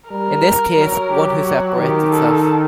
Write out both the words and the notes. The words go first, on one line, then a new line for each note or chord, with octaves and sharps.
In this case, "one who separates itself".
G3 A#4
F#3
G4
F#4
D#3 G4
A4